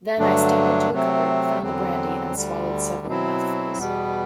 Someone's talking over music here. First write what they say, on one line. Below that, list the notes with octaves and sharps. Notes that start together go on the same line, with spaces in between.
Then I staggered to a cupboard, found the brandy and swallowed several mouthfuls.
G2 D3 F#3 A3 D4
C3 F#3 A3 C4
E2 D3 F#3 C4
D2 D3 G3
B2 F#3 C4 E4
E2 B2 G3 B3